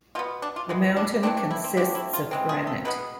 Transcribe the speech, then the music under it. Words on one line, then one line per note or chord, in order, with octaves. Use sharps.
The mountain consists of granite.
B2 B3 F4
D4
F4
E3 G#3 B3
D4
E3 A3 C4 D4
D4
E4
C4
D3 A3 C4 D4
E4
F4
E3 G#3 C4
G#4
A4
B2 G#3 B3 B4